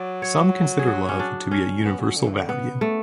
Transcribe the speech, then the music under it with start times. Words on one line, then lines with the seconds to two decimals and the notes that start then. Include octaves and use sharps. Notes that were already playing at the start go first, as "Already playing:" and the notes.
Some consider love to be a universal value.
Already playing: F#3 D5
0.22 C#5
0.79 G#4
0.87 F#4
1.09 C#4
1.19 D4
1.51 C#4
1.85 B3
2.00 F#3
2.16 D3
2.27 E3
2.33 D3
2.49 B3
2.81 A3